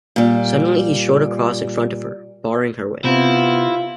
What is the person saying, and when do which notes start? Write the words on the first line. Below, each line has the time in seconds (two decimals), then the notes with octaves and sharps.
Suddenly he strode across in front of her, barring her way.
0.16 A#2 G3
3.05 C3 B3 C4 E4 F4